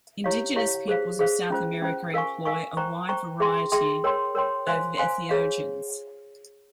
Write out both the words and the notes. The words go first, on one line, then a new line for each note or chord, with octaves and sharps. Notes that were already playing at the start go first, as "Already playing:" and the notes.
Indigenous peoples of South America employ a wide variety of entheogens.
E4 G4 C#5 F5
E4 G4 C#5 F5
G#4 C5 F5
G#4 C5 F5
C#4 F4 C5
C#4 F4 C5
A#4 F5 G#5 C#6
A#4 F5 G#5 C#6
C5 G5 A#5 C#6
C5 G5 A#5 C#6
G#4 E5 G5 C6
G#4 E5 G5 C6
A#4 C#5 G5 C6
A#4 C#5 G5 C6
C5 F5 G#5 C6
C5 F5 G#5 C6
F4 G#4 C#5 F5